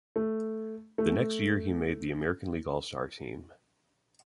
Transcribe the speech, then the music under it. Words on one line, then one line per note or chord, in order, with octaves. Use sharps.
The next year he made the American League All-Star team.
A3
A3